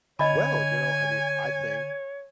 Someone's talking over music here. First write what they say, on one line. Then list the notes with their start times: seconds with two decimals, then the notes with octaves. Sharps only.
Well, you know, I mean, I think,
0.19 D3 C#5 D#5 G#5 B5